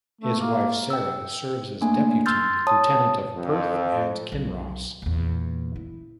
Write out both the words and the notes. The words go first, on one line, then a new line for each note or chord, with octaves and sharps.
His wife, Sara, serves as Deputy Lieutenant of Perth and Kinross.
A3
A#3
G5 E6
A3 A#3 D4 G#5
C6 E6 F6 G6 A6
C#5 A5 D#6
F2
B1
E2 A#2
E4